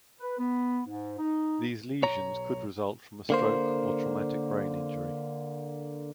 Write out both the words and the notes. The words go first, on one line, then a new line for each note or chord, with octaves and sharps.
These lesions could result from a stroke or traumatic brain injury.
B4
B3
G#2
D#4
B1 C#5 A#5
D3 A#3 C5